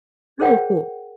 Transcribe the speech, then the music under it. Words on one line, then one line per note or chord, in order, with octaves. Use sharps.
Oh, cool.
G#4 A#4 C5 C#5 F#5 G5